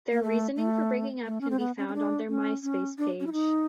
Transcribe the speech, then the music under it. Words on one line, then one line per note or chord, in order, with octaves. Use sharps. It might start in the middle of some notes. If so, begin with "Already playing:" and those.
Their reasoning for breaking up can be found on their MySpace page.
A#3
A3
A3
A3
C#4
C4
B3
C#4
C#4
D4
C#4
C#4
D4
C#4
E4
D#4